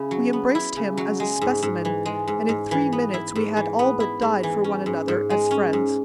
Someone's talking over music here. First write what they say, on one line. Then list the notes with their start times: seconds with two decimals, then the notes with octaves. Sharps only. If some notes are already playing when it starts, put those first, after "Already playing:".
We embraced him as a specimen, and in three minutes we had all but died for one another as friends.
Already playing: C#3 E4
0.11 F#3
0.33 B3
0.55 E4
0.76 C#3
0.97 F#3
1.20 G#3
1.41 G#2
1.63 G#2
1.85 E3
2.06 G#3
2.27 G#2
2.49 G#2
2.71 E3
2.92 B3
3.14 E4
3.35 G#2
3.57 E3
3.79 B3
4.00 E4
4.22 G#2
4.43 E3
4.64 C#4
4.86 G#2
5.08 G#2
5.30 G#3
5.51 C#4
5.73 G#2